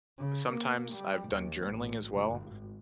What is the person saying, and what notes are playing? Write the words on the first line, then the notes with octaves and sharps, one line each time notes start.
sometimes I've done journaling as well.
C#3
A#3
G3
D#2
A1
G#1